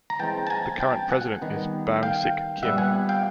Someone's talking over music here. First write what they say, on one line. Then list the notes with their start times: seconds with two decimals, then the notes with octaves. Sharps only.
The current president is Boung-Sik, Kim.
0.10 A#5
0.19 E3 G#3 C4 G5 A5
0.47 A5
0.50 G#5 A#5
0.80 G5 A5
1.11 F#5 G#5
1.42 D#3 G3 B3
2.03 F5 G5
2.63 A#2 G3 B3 E5 F#5
2.78 F#5 G#5
3.09 F5 G5